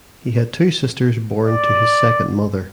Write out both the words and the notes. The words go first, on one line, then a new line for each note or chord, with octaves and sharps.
He had two sisters born to his second mother.
D5